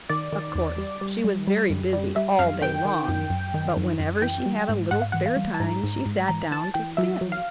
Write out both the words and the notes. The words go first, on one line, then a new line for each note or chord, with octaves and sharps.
Of course she was very busy all day long, but whenever she had a little spare time she sat down to spin.
D#3 D5
D#3
E2
G3
G3
G3
G3
F#2
G3
G3 E5
F#2 F5
D#3 G5
D#3
F#2
F#2
D#3
F#2
F#2
E3 G5
G3
G#2
G#2 F#5
F5
E3 F#5
F5
G3
A5
G#2 A#5
G#2
G#2
E3 A#5
E3 A5
E3 G5
F#3 E5
F#3
F5